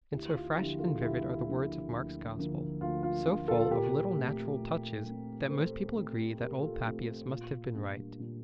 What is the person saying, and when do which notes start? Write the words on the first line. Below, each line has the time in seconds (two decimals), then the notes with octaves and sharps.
And so fresh and vivid are the words of Mark's Gospel, so full of little natural touches, that most people agree that old Papias must have been right.
0.12 D2 E4 G4
0.34 F4
0.57 D3 F3 A#3 D4 E4 G4
0.79 F4 A4
1.02 D2 E4 G4
1.47 D3 F3 A#3 D4
1.92 D2
2.36 D3 F3 A#3 D4
2.81 D2 F4
3.03 F4
3.25 D3 F3 A#3 D4
3.48 F4 A4
3.70 A#2 G4 A#4
4.16 A3 C4
4.60 A#2
5.05 A3
5.10 C4
5.49 A#2 A4 C5
5.94 A3 C4
6.39 A#2 G4 A#4
6.62 F4 A4
6.84 A3 C4 F4
7.28 A#2 F4
7.74 G3 A#3 D4
8.19 A#2